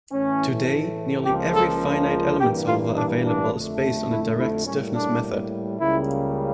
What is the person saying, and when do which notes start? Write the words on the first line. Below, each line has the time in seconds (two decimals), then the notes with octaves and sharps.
Today, nearly every finite element solver available is based on the direct stiffness method.
0.12 A2 E3 A3 C#4
1.25 C#2 C#3 F3 A#3 G4
1.54 A4
2.39 G2 E3 A#3 G4
2.67 F4
2.95 D4
3.24 D4
3.53 F2 D3 A3
4.10 E4
4.38 E4
4.66 A2 G3 A#3 C#4
4.94 D4
5.80 C#2 C#3 G3 A#3 E4